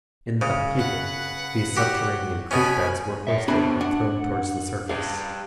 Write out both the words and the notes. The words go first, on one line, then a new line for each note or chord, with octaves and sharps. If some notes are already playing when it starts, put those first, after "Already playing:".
In the upheaval these subterranean creek beds were hoisted and thrown towards the surface.
C#3
B4 F#5
F#4 G4
B2 C#4 G#5 B5
C#5 E5
B3 C4 D4 F#4 G#4 B5
D4 F#5
G4 G#4 D5 F5